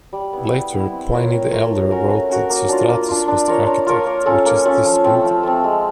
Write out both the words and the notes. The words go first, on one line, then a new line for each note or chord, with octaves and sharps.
Later Pliny the Elder wrote that Sostratus was the architect, which is disputed.
G3
B3 E4
G3
B3 E4
C4
F4 A#4 C#5
C4
F4 A#4 C#5
A3
C#4 F#4 A#4
A3
C#4 F#4 A#4
A#3
D4 F4
A#3
D4 F4
D4
F4 A#4 C#5
D4
F4 A#4 C#5
A#3
C#4 F4 A4
A#3
C#4 F4 A4
F3
A3 C4
F3
A3 C4
G#3